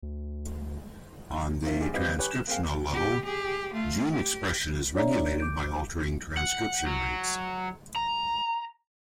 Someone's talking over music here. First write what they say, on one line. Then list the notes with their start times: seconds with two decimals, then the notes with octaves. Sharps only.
On the transcriptional level, gene expression is regulated by altering transcription rates.
0.03 D2
1.64 D#3 A#3 C4 E4
1.80 A#1 G4 G#4
1.93 G3 C4 G4 B4 D#5 F5
2.18 G4 B4 C#5 G#5 F#6
2.31 E7
2.47 A#3 C4 G#4 F5 G5
2.88 B2 G4
3.24 G4 G#4
3.73 A3 F4
4.11 G4
4.94 D4 C#5 D5 E5 A#5
5.38 D6 G6 D7
6.37 F#5
6.86 F#3
7.96 A#5